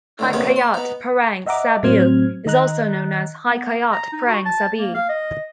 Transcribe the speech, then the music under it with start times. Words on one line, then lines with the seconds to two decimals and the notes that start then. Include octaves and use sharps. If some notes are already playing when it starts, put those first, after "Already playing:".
Hikayat Perang Sabil is also known as "Hikayat Prang Sabi".
0.19 A2 D3 D#3
0.33 A#1 D#2 C3 B3 C#4 D#6
0.56 C6
0.74 B3 D#4
1.46 D#5 E5 F#5 A#5 D6
1.83 A2 F#3 C4 C5 F6 G#6
2.46 D#3 D#5 A#5 F#6
3.48 B3
3.92 A#5
4.13 D#4
4.27 F#4
4.45 A5
4.78 A#3
4.95 F5
5.09 D#5